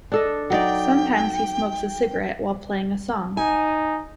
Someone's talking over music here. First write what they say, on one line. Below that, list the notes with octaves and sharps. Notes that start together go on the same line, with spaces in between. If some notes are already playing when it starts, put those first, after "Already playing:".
Sometimes he smokes a cigarette while playing a song.
D4 A4 D#5
F#3 D#4 D5 G5
D#4 G#5